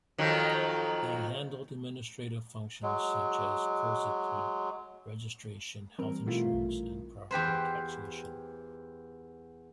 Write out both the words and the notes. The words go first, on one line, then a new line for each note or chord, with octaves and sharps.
They handle administrative functions such as "koseki" registration, health insurance, and property taxation.
F2 D#3 F#3
F#3 G#3
E3 G3 C4 A#4
B2 A3 E4 F4
A#1
E2 G4 B4 C5